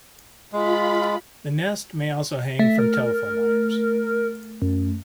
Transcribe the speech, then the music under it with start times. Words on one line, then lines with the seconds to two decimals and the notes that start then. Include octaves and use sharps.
The nest may also hang from telephone wires.
0.53 G#3 F4 B5
2.59 A3 E5
2.79 A#4
4.62 F#2